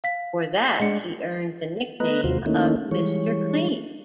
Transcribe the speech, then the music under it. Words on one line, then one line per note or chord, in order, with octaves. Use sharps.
For that he earned the nickname of Mr. Clean.
F5 B6
G#3 D4 D#5 F#5 C#7
A3 B3 B4 D#5 A#5 F#6
D#2 C3 F4 F#4 C5
D#3 A3 A#3 C#4 D#4 E4
E3 G3 G#3 C#5